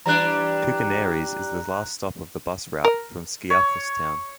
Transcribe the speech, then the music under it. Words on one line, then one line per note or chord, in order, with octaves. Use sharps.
Koukounaries is the last stop of the bus route from Skiathos Town.
E3 G3 D4 A#5 F#6
A#4
C#5